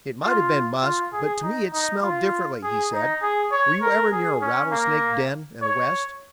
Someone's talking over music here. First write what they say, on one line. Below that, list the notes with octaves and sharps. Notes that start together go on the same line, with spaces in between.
"It might have been musk, but to me it smelled differently," he said. "Were you ever near a rattlesnake den in the west?"
F4
F4
G#4
D#4
D#4
F4
G#4
D#4
G#4
C#5
A#4
G#4
C#4
A#3
C#5